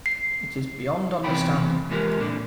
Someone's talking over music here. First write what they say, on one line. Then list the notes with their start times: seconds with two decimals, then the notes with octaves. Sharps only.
It is beyond understanding.
0.06 C7
1.24 E2 C3 E3 C#5 G5 B5
1.90 E3 F3 G#3 G4 A#4
2.20 A#2 D3 D4